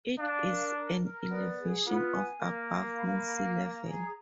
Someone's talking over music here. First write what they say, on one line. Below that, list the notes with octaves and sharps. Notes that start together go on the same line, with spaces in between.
It is at an elevation of above mean sea level.
D4 F5
A#4
A#4
A#4
B3 D5
G#4
B3 F4
G#5
A#3 A#4
F5
B5
F5
A#5
G#4